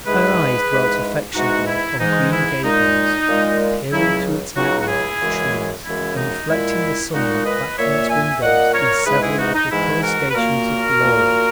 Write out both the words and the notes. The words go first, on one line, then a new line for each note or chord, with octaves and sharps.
Her eyes dwelt affectionately on Green Gables, peering through its network of trees and reflecting the sunlight back from its windows in several little coruscations of glory.
G#2 E3 G#3 G#4 B4
G#2 E3 G#3
G#2 E3 G#3 D#4 F#4
E4
G#2 E3 G#3 D#4
E4
A#2 G#3 D#4
A#2 G#3
C#2 C#3 F#3 E4
C#2 C#3 F#3 D#4 F#4
F#4
E4 G#4
F#2 C#3 E3 G#3
F#2 C#3 E3 G#3 E4
D#4
A#2 G#3 E4
A#2 G#3 D#4 F#4
B4 D#5
A#2 A#3 C#5 E5
E5 G#5
A#2 A#3 D#5 F#5
A#4 C#5
G#2 E3 G#3 G#4 B4
E4 G#4
D#4 F#4
D#4
G#2 E3 G#3 E4
F#4 A#4
B4
A#2 A#3 F#4 A#4
A#2 A#3